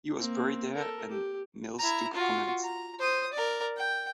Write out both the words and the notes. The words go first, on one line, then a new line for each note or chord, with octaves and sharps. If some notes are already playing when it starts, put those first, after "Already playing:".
He was buried there and Milz took command.
A#3 C4
A4 A#4
G4
E4 A#5
F4 F#4
A#5
C5 D#6
A#4 D5
G5